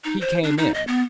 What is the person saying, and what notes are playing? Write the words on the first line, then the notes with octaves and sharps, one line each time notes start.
He came in.
D#4
C5
D4
D#4
D#5
B3